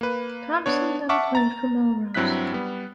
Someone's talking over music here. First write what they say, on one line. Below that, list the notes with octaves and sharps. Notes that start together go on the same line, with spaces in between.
Thomson then played for Melrose.
A#3 B4
B3 D4 C#5
E5 F#5 A5 C#6 D6 F6
A#5 A6
G2 F#3 C4 E4 F#6 B6
G3 B3